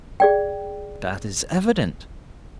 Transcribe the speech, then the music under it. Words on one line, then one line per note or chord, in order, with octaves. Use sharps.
That is evident.
G#4 D5 G5